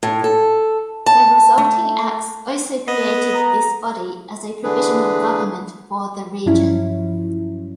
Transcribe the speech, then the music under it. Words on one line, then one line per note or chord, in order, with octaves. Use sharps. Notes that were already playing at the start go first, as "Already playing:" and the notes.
The resulting acts also created this body as a provisional government for the region.
A2
A4
A5
A3
B3 D#5
A#5
D3 E3 D4 G#4 B4
G2 F3 F#3 C#4 E4